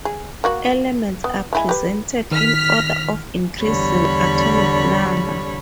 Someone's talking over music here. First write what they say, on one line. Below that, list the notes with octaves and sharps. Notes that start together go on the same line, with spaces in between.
Elements are presented in order of increasing atomic number.
G#4
A#3 F#4 F#5
B3
G#3 E4 G#5
G4 B4
D#3 F6 B6
E2 D3 G3 C#5 B5